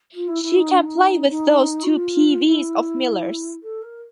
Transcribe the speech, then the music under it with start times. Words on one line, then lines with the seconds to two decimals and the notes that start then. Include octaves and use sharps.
She can play with those two peewees of Miller's.
0.14 F4
0.28 E4
0.42 E4
0.57 D#4
0.70 D4
0.84 D#4
1.30 D#4
1.83 F#4
1.88 F4
2.46 E4
3.63 A4
3.82 A#4